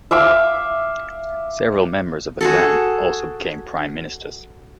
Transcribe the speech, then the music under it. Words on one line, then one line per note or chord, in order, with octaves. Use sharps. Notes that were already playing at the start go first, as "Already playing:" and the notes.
Several members of the clan also became prime ministers.
E5 F5 D6 E6
F#4 G#4 A4